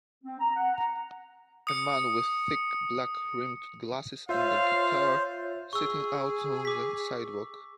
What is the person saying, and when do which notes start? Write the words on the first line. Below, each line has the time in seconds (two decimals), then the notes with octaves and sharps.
A man with thick black rimmed glasses and a guitar sitting out on the sidewalk.
0.24 C4
0.40 A#5
0.56 F#5
0.74 A#5
1.67 D#6 C#7
4.29 F4 C5 C#5 E5 F5
5.73 G#4 C#6 E6
6.65 D6 B6